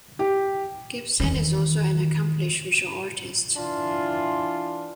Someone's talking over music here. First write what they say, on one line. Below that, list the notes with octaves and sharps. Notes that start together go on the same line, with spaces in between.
Gibson is also an accomplished visual artist.
G4
E2 D#3
E3 D4 F4